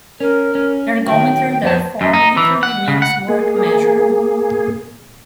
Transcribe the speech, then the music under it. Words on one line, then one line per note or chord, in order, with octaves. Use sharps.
"Ergometer", therefore, literally means "work measurer".
C#4 A#4
C#4
D#3 F#3 G5
F2 B3 C5 A5
F#2
D#4
E3
F#5
C#3
F#5
A#3 G#4